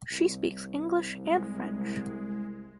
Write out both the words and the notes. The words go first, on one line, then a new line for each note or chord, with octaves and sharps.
She speaks English and French.
C2
G#3